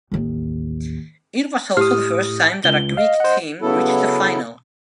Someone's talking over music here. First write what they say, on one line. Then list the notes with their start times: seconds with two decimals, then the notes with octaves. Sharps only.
It was also the first time that a Greek team reached the final.
0.12 A1 D#2
1.77 A2 G4 D#6 F6
2.64 C#2 G7
2.97 D#5 F5
3.20 C5 F#5
3.62 C#3 F#3 B3 E4 A4